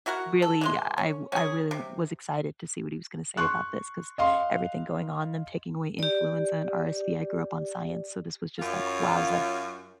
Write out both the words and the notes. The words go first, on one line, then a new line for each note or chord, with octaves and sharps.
really I I really was excited to see what he was gonna say about this 'cause everything going on, them taking away influenza and RSV. I grew up on science, so this was just like wowza.
E4 F#4 A#4 F#5
A4
E3 G#3 C6
C#4
C#4 G#4
C3
C6 C#6 F#6
D#5 F5 C6
G4 D5
F#2 F4